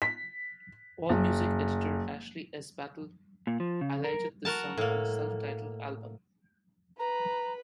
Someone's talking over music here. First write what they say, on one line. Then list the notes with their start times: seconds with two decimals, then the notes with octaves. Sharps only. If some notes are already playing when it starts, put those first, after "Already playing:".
Allmusic editor Ashely S. Battel highlighted this song on self-titled album.
0.02 B6
1.09 F#1
3.47 A#2
3.60 F3
3.81 C#3
4.04 A#4
4.45 F#4 A#4 A5
4.78 A2 A#3
6.99 B4 A#5